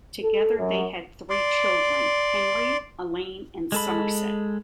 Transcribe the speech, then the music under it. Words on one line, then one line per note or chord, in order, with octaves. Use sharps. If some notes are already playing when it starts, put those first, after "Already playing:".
Together they had three children, Henry, Elaine and Somerset.
A4
F#2
D5 C6
G#3 A4 B5